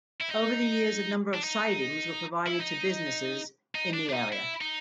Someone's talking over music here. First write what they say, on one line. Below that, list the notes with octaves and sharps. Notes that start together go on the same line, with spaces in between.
Over the years a number of sidings were provided to businesses in the area.
E4
D#4
D4
D#4
E4
D#4
D#4
D4
D4
D#4
E4
D#4